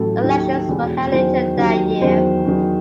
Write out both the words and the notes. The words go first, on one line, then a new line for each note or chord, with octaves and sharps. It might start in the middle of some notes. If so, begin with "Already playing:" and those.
Elections were held later that year.
Already playing: A1 A2 F#3 A4
D#2 D#3 F#3
E1 E2 B2
E2 D#3 F#3 C5
D#2 D#3 F#3
E2 D#3 F#3 C5
E2 D#3 F#3